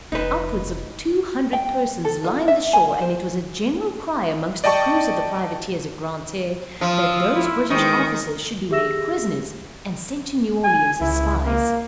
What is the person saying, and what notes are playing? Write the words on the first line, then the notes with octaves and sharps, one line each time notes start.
Upwards of two hundred persons lined the shore, and it was a general cry amongst the crews of the privateers at Grand Terre, that those British officers should be made prisoners and sent to New Orleans as spies.
F1 D#4 B4
G5
A4
F4
E5
G#5
C5
D5 D#5 G5 A5 C#6
F3 F5 D#6 E6
E4
D#3 E3 G#3 C5 C#6 D#6
G4 G#4 E5 E6 A#6 E7
G#5
C#2 E4
A#3